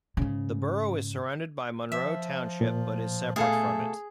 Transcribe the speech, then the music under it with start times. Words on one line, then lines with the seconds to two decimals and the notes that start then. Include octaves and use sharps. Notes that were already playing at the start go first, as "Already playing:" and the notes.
The borough is surrounded by Monroe Township but is separate from it.
0.17 G#2 C#3
1.92 F3 E5
2.61 A#2
3.36 B2 A3 G#4 A4 F5